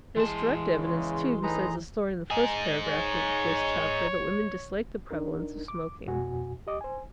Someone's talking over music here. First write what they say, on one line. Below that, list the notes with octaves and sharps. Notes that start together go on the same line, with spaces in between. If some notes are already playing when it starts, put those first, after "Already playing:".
There is direct evidence, too, besides the story in the first paragraph of this chapter, that women disliked the prevalence of smoking.
E3 G#3 A5 C6
E2 C#3
A2 D#4 G#4 B4 A#5
D#4 G#4
C#5
D4 D#4 A#4
D6
F2 B2 F#4 G#5
G4 D#5 D6
C5 G#5